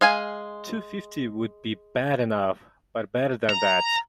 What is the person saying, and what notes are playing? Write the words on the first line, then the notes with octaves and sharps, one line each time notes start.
Two fifty would be bad enough, but better than that.
G#3 F5 G#5
A#5